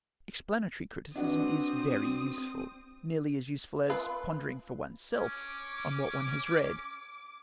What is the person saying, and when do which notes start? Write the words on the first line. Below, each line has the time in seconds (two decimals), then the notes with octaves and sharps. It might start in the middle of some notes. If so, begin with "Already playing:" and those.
Explanatory criticism is very useful; nearly as useful as pondering for oneself on what one has read!
1.16 C4 D4 F#4 B4 D#6
3.90 F4 B4
5.15 C#4 D6